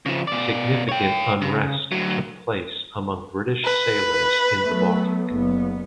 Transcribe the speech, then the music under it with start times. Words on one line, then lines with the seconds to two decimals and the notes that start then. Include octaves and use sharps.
Significant unrest took place among British sailors in the Baltic.
0.06 C#3 F3
0.27 B2 D5
0.89 C#5 G5
1.42 C#3
1.92 D2 F#3
3.64 B4
4.64 F#3 A3 B3
5.31 F#1 B3